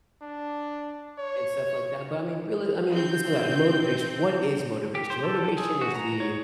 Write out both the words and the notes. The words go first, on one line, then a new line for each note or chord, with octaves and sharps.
and stuff like that, but I mean, really, I mean, let's think about it, motivation, what is motivation? Motivation is the
D4
C#5
C4 G6
G4
C5
A4
G#4
F#4
A#5
C#5